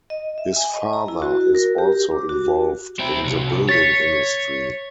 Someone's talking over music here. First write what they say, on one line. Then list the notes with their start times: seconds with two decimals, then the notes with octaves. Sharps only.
His father is also involved in the building industry.
0.10 D#5
0.38 E5
0.56 G#5
0.73 D#5
0.93 A#5
1.08 E4
1.22 F#4
1.55 A#4
1.78 G4
2.12 D6
2.29 F#4
2.99 C4 E4
3.25 C2 F#3
3.69 C#5 A6 B6